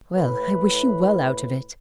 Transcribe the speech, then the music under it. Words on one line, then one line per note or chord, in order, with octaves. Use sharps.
'Well, I wish you well out of it.'
A2 B4